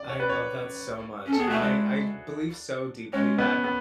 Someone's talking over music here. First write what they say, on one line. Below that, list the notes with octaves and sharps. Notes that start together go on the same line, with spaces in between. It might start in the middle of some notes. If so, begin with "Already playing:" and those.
I love that so much. I I believe so deeply that
Already playing: D5
C#5
B4
C#5
C#4
A4
B3 G#4
A3 F#4
E4
G#3 D4
G#3 C#4
B3
B3